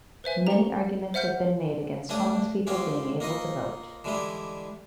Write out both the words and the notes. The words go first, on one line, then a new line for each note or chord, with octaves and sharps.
Many arguments have been made against homeless people being able to vote.
B4 C5 E5 G#5
G4 A#5
C5 E5 F#5 F6 G6
G2 A3 C#4 D4 D#6
G#3 C4 C#4 F4 G4
A#3 D#4 F4 D#5
D3 E3 G3 G#3 E4